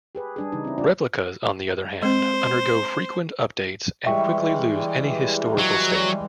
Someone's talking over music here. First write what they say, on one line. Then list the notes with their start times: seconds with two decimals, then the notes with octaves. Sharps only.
Replicas, on the other hand, undergo frequent updates and quickly lose any historical state.
0.15 G4 G#4 B4
0.36 G3 D4 G#4
0.52 C#3 E3 G3 D#4
0.64 C4 E4
0.78 D#3 D4 F4 D5
2.02 G#3 C4 C5
4.06 E3 G3 G#3 E5 G5 C#6
5.58 F#3